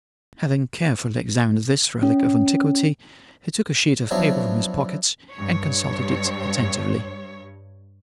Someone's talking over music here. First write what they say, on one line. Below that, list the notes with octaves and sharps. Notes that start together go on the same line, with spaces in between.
Having carefully examined this relic of antiquity, he took a sheet of paper from his pocket, and consulted it attentively.
C#4
F3 F#3 B3 C#4 D4 E4
G2 C#5